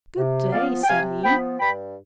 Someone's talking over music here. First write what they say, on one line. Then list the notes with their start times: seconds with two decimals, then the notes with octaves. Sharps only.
"Good day!" said he.
0.17 C3
0.52 F3 B3 D5 F5
0.83 G5
0.88 C3 F5 G#5
1.24 F3 B3 G5 B5
1.59 G2 G5 B5